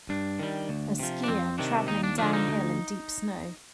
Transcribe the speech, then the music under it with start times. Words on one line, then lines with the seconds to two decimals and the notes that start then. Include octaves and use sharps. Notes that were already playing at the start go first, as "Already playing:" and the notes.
A skier traveling downhill in deep snow.
0.09 G2 D4
0.39 D#3 G3
0.69 D2
1.00 C3 F3
1.24 D4
1.28 F2 C4
1.58 C3 D#3 D4
1.88 D#2 D#4
2.03 D4
2.18 D3 F3 D4
2.33 D#4
2.48 D2